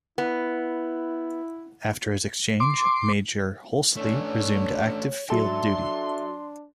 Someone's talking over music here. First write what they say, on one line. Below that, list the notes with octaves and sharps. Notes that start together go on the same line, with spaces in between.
After his exchange, Major Hulsey resumed active field duty.
B3 E4
C6 D6
A3 C#4 D4 C#5
F#3 D4 A4 E5 C6